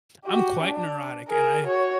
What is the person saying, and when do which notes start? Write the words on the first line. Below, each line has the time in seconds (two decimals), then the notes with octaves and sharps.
I'm quite neurotic, and I
0.25 F#4 G4
0.60 D4
1.28 G#4 A#4
1.66 F#4 C#5